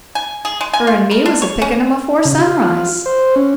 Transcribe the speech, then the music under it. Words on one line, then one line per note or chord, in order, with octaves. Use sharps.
"Her and me was a picking 'em afore sunrise."
G#5
G#4
G#3
G#5
F4
A#4
D4
C#5
C#4
C#3
F4
C5
C#4